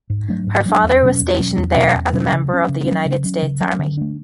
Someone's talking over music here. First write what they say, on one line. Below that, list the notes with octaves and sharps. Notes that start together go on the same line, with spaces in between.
Her father was stationed there as a member of the United States Army.
G#2
F#3 A3 D4
G#2
F#3 A3 D4
E2
B2 F#3 C#4
E2
B2 F#3 C#4
E2
B2 F#3 C#4
E2
B2 F#3 C#4
C#3
F#3 C#4
C#3
F#3 C#4
C#3
F#3 C#4
C#3
F#3 C#4
D3
A3 D4